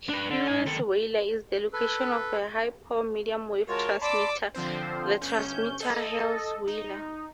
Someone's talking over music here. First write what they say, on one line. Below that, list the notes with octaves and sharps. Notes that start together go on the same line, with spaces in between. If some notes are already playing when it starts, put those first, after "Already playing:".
Heusweiler is the location of a high power medium wave transmitter, the transmitter Heusweiler.
D4 B4
D3
D#4 G#5
D#3 A4
A4 B4
G#3 F4 F#4 A#4 C#5 A5
D5 A5 B5 C6 D6 E6
D3 F3 C4 C5
G1 C#4 G6
A4 D#5
D#4